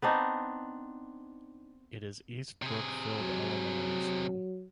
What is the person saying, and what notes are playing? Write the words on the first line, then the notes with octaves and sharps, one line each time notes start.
It is East Brookfield Elementary School.
B3 C4 D4 D#4
C3 G#4
F#3